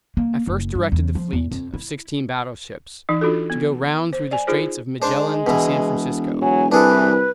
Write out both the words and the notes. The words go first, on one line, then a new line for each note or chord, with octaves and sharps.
I first directed the fleet, of sixteen battleships, to go round through the Straits of Magellan to San Francisco.
A#3
F#1
G2
E2
F3
E2
F2
E4
E3 D#4
D4 F4 F#4 A4
B3
C5
D5 G#5
D#4 F4 G#4 C5
G#3 D4 C5
E1 B2 E3
F#3 G#5
C2 E3 D4 G#4 A4 B4